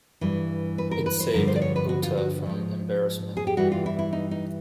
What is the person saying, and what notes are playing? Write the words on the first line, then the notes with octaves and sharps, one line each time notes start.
It saved Ota from embarrassment.
G2 E3 G3
B4
A#4
B4
C5
G2 D3 F3 A#4
C5
D5
C#5
B4
F#4
F4
F#4
G#2 F3
G#4
G4
G2 E3 G3 F#4
F4
E4
E4
D#4
D#4